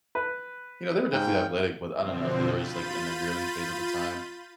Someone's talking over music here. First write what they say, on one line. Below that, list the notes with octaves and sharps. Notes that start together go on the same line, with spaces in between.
you know they were definitely athletic, but I don't know, they they were just like in their girly phase at the time,
B4
G#2 F5 G5
B2 D3 F3 C4
F4 B5 G6 A6 D#7